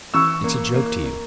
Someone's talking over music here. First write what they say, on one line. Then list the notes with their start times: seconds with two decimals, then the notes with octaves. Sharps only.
It's a joke to you.
0.14 E3 C#6 E6
0.44 A#3
0.74 A#3
1.04 A#3